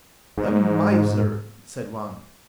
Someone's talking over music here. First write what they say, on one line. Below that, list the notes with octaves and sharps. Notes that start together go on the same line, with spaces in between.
"The miser!" said one.
G#2